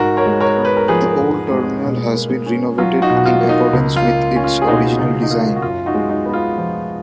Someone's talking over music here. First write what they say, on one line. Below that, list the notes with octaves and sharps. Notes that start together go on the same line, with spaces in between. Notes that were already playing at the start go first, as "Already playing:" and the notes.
The old terminal has been renovated in accordance with its original design.
Already playing: G#2 F#4 A#4
A#4 C#5
G#3
A#4 C#5
B3
B4
A#4
F3 G#4 B4
G#2
G#3
B2
A#3
C#4
F#3 F4
D#4 F#4
B2
F#4
F4
A#3
D#4
C#2
F4
A#3
C#4
F4
G#4
B2 D#4 F#4
C#2 D#4
D#4
A#3 F4
F#4
F#2 F4
D#4 F#4
G#3
D#4
B3
F4
F3